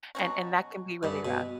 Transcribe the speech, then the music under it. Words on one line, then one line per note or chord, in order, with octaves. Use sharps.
and and that can be really rough.
B2 F#3 C#4 F#4
G2 C#3 E3 B3
B2